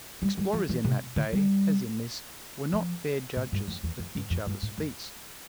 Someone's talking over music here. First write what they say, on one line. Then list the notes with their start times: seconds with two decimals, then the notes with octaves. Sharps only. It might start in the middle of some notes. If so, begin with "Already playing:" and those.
Explorers in that day, as in this, were not fair judges of each other's feats.
0.22 G3
0.37 G3
0.53 F3
0.69 E3
0.84 C3
1.16 D3
1.32 G3
2.73 F3
3.36 A2
3.52 G2
3.68 F2
3.83 E2
3.99 F2
4.15 G2
4.30 F2
4.46 G2
4.63 A2
4.78 F2